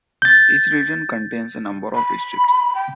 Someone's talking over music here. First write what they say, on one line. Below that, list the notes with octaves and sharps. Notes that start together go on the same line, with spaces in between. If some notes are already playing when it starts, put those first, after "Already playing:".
Each region contains a number of districts.
G6 A6
B5
G5